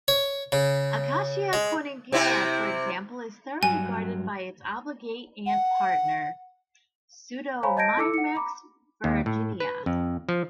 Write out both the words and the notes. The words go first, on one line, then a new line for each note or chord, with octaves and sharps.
"Acacia cornigera", for example, is thoroughly guarded by its obligate ant partner, "Pseudomyrmex ferruginea".
C#5
C#3
G#3
C3 C4 E4
G2 F#3 G#5
F#5
C5 C#5 F5 G#5 A#5 B5
D#5 A5 G6 G#6 A#6 D7
E4 A4 D6 E6 C#7
F#5 C#7
A#5 B5 D6
D#2
A2
B4
F2
F3